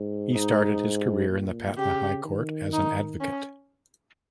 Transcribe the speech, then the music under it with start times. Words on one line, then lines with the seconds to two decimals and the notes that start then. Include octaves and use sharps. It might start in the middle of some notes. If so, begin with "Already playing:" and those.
He started his career in the Patna High Court as an advocate.
Already playing: G#2
0.35 G#2 D#4
1.30 A#2
1.78 C#3 G4
2.25 D#3
2.73 D#4
3.21 C#4